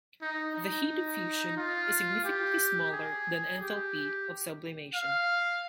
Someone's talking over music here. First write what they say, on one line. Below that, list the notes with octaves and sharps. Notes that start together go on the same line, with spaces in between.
The heat of fusion is significantly smaller than enthalpy of sublimation.
D#4
D#4
F4
G4
G#4
G4
F5